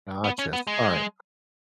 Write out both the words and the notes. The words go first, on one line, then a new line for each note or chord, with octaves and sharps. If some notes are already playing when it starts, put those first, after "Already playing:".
Gotcha, smart.
B3
C#4
B3
G#3